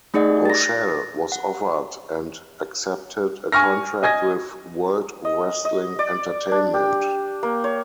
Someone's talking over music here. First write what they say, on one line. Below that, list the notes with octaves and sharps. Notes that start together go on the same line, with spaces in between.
Rochelle was offered and accepted a contract with World Wrestling Entertainment.
A3 D#4 G#4 D5 D#5 F#5
A6 A#6
F#5
G#5 C#6 F6 A#6
D#5 G#5 G#6 A#6
D#5
D#5
D5
D4
G4
A#3
C#5